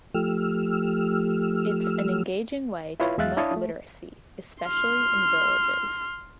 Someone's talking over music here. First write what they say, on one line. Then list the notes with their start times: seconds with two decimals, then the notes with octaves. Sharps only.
It's an engaging way to promote literacy, especially in villages.
0.14 F3 A3 G4 E6 F6
3.00 E4 F4 B4 C#5 F5
3.18 E2 G#3 E5 F5 F#6 A6
3.37 D4 E4 C#5 F5 A5 D#6
3.56 A3
4.64 C6 F6